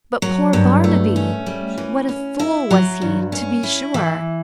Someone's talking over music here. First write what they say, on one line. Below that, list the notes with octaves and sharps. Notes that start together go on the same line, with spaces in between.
But, poor Barnaby! what a fool was he, to be sure!
F#3
G2
A3
C#4
G3
E3
C#4
E4
F#3
G2
C#4
E4
E3